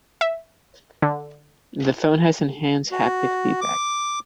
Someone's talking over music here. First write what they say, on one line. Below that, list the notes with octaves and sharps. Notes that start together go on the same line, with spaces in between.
The phone has enhanced haptic feedback.
E5
D3
F#4
D6